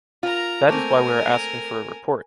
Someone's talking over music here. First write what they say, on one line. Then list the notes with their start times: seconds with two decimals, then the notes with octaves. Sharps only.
That is why we are asking for a report.
0.23 F4 A#4 A#5
0.69 A3 A#3 C4 A#4 G#5